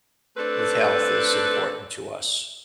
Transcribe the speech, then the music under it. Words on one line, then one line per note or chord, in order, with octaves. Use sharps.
with health is important to us.
A3 C4 D4 A4 B4